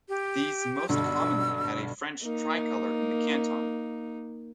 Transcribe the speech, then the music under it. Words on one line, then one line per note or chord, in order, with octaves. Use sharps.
These most commonly had a French Tricolour in the canton.
G4
B1 G2 D3 E6
A#3 D#4